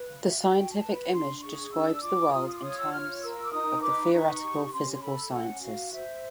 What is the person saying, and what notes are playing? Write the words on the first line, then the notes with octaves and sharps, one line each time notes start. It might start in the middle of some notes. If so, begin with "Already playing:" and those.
The scientific image describes the world in terms of the theoretical physical sciences.
Already playing: B4
F5
F#4 E5
F5
G#5
F#4 G5
A5
B4
B5
D4 C6
G#4 C#6
D4 E6
F4 D6
F4 D#6
D#6
D6
C#5 D#6
E6
F4 F6
A#4 E6
D6
D#4 D#6
C#6
B4 D6
D#4 C#6
G4
C#4 C6
C6
A4 B5
C#4 F#5
F#4 F5
C5 E5